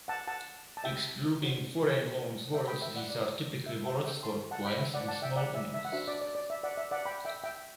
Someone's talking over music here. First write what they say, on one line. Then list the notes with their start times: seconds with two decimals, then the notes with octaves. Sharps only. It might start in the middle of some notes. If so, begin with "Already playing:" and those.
Excluding foreign loan words, these are typically words for plants and small animals.
0.08 F#5 A5
0.28 F#5 A5
0.77 A5
0.84 E5 G5
1.41 D4 F#4 C5
2.54 E5 G5
2.67 G5 B5
2.82 E5 G5
2.96 D5 F#5
3.10 D5
3.66 F#4 B4 E5
3.85 E5 G5
4.04 E5 G5
4.23 A5 C6
4.51 F#5 A5
4.65 G5 B5
4.80 E5
4.94 D5 F#5
5.08 F#5 A5
5.22 E5 G5
5.36 D5 F#5
5.55 E5
5.74 E5
5.85 F#5
5.92 D4 F#4 C5 E5
6.08 D5
6.22 D5
6.35 D5
6.50 E5
6.63 D5 F#5
6.77 E5
6.91 D5 F#5
7.06 G5 B5
7.25 E5 G5
7.44 E5 G5